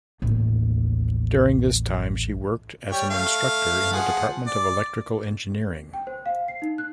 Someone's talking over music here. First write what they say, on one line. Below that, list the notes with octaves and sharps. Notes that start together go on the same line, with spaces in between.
During this time she worked as an instructor in the Department of Electrical Engineering.
A1 D#2
G3 G4 C#5
A3 F5
F3 G#4 F#5
D5
G5
C5
F5
C7
D#4
F#6